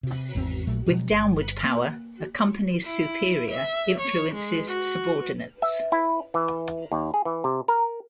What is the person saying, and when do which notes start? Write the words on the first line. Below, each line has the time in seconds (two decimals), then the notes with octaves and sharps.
With downward power, a company's superior influences subordinates.
0.03 C3
0.35 G#1 E2 C3 C4
0.67 A#1 A#2 F#3 A3
0.86 B2 F3 F#3 G#3
1.10 G1
1.64 A#3
2.85 E4
3.50 E5
3.99 C#5
4.34 G#3
4.67 F#4
5.62 E5
5.92 E4
6.34 E3
6.92 D#2
7.14 G#4
7.25 E3
7.44 C3
7.68 A#4